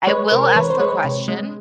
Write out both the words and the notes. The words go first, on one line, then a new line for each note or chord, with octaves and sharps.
I will ask the question.
G#3 B4 C#5
C3 A#4 C5
E3 B4 C#5
C5
G#3 B4 C#5
C3
G#3